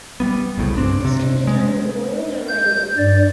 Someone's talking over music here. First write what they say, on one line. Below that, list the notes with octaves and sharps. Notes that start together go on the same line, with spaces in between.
This can be done with boiling or grinding.
G3 A#3 B3
F#1 C2 A2
G2 C4 D4
C3
G#3
G6
G2 D5